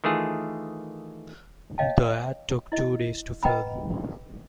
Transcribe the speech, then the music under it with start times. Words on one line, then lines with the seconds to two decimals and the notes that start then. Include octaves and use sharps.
The ad took two days to film.
0.04 D#3 E3 A3 F4 G#4
1.78 C#5 D#5 F5 G5 A5
2.72 E4 D#5
3.43 B4 D#5 F#5 G5 A#5 B5